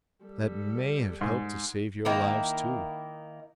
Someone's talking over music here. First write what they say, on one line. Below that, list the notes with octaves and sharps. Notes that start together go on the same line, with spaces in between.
That may have helped to save your lives too.
G3 A4
G#2
D#3 A#3 E4